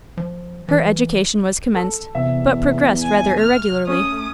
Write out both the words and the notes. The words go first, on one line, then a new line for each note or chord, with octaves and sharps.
Her education was commenced, but progressed rather irregularly.
F3
E3
A4
E2 C3 E5
F1 G#5
F6
A3 C#4 D#6